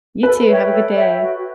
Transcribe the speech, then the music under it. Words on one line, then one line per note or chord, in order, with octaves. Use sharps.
You too, have a good day.
A4 B4
C#5 E5 G5
A4
C#5 E5 G5
F#4